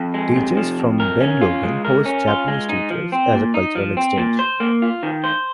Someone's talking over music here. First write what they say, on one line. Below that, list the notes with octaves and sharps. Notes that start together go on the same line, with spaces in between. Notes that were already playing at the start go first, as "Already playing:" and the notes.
Teachers from Ben Logan host Japanese teachers as a cultural exchange.
Already playing: F2
G#3
C3
F3
F2
A#4
C#4
F4
G#3
A#4
C#4
F4
G#3
D#4
F3
C4
A#2
D#4
F3
C4
A#2
C5
A#3
F4
D#3
C5